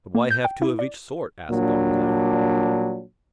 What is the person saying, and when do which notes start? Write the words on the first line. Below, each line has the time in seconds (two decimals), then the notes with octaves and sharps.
"But why have two of each sort?" asked Danglars.
0.15 A#3
0.30 G6
0.45 G5
0.62 E4
0.79 D5
1.50 A#2 F#3 G3 D4